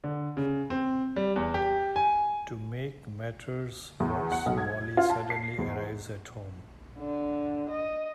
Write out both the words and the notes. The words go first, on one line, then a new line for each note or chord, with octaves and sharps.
To make matters worse, Molly suddenly arrives at home.
D3
C#3
C4
G3
E2
G4
G#5
E2
F#5
B1
G#6
F4
A5
C7
E2
D3
D#5